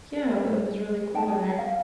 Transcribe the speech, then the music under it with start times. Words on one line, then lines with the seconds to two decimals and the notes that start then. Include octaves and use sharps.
Yeah, it wa it was really cool, and
1.14 D#4 D#5 G5 A5
1.28 G#4
1.59 F5